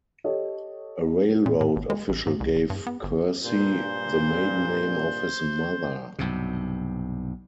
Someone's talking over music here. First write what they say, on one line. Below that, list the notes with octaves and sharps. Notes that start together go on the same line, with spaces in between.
A railroad official gave Kersey the maiden name of his mother.
G4 A4 C#5 D#5
A#2
A2
G#1
G#3
A1
G#2
C2
D1
G2
B3
G1
G2 A#2 C5
B1 G2 C3